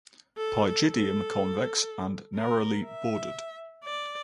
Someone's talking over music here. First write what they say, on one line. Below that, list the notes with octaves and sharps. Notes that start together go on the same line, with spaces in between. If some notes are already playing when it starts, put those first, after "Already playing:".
Pygidium convex and narrowly bordered.
A4
A4
A#4
E5
D5